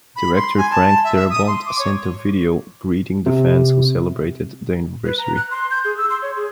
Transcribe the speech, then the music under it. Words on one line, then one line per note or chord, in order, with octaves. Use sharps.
Director Frank Darabont sent a video greeting the fans who celebrated the anniversary.
B5
C6
G#5
A5
E5
E5
D#6
C6
D6
C#5
C3
B4
A#5
F#6
C6
G6
G#4
E6
C6
C#5
G#4